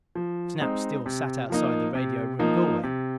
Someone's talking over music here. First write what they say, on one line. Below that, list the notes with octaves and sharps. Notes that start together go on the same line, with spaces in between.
Snap still sat outside the radio room doorway.
F3
G#3 C4 D#4
C3
F3 A#3 D#4
C3
F3 A#3 D#4
C3